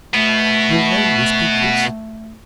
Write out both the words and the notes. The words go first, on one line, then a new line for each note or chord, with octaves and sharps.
"Will they?" whispered Chris.
B2 A3 B3